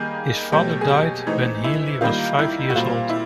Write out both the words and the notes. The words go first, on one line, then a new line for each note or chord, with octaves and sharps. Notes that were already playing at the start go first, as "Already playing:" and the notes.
His father died when Healy was five years old.
Already playing: D#3 G3 A#3 G#4
B2 F#3 A3 G4
G#4
G4
E3 A3 C4 D#4
E4
D#3 G3 A#3 F4
E4
F#4
A#2 G3 C4 F4
E4